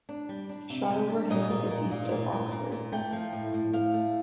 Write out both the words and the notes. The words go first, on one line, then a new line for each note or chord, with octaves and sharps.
Shotover Hill is east of Oxford.
D4
G3
D4
C3
C3
D4
A#2 D#5
A#2
A#2
A#2
A#2
A#2
A#2
A#2
A3 G5
F3
A2
A2
A2 F5
A3